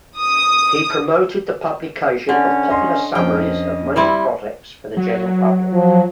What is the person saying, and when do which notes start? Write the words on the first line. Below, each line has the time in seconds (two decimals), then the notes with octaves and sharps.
He promoted the publication of popular summaries of major projects for the general public.
0.19 D#6
2.29 D3 C#4
2.70 D#5 C6 C#6
3.15 F2 C#4 D#5 G5
3.96 G3 C4 E4
4.97 F#3
5.73 F3